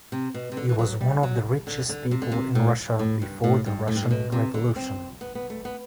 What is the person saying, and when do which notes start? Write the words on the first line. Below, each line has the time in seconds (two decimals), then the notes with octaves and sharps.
He was one of the richest people in Russia before the Russian Revolution.
0.12 C3
0.34 B2
0.52 C3
0.57 D3
0.69 E3
0.78 F#3
1.01 G3
1.23 F#3
1.67 D3
1.89 D3
2.11 C3
2.22 D3
2.32 C3
2.55 A2
2.99 A2
3.22 G2
3.44 A2
3.66 G2
3.88 A2
3.96 G2
4.03 A2
4.11 B2
4.32 C3
4.54 D3
4.76 C4
5.21 B3
5.35 B3
5.50 A3
5.65 B3